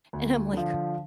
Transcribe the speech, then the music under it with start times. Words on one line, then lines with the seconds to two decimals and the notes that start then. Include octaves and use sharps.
And I'm like,
0.13 D2
0.53 D3 F3